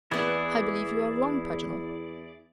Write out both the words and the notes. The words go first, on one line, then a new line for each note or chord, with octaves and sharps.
"I believe you are wrong, Paganel."
E2 E3 B3 E4 G#4 D5